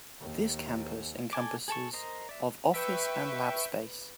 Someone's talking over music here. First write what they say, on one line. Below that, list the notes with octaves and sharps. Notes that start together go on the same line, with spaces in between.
This campus encompasses of office and lab space.
D#2
A4 G#5 D6
G#4 A4 A5 C#6
A#4 C5 D#5 A#5
D5 E5
B4 E5 G5 C#6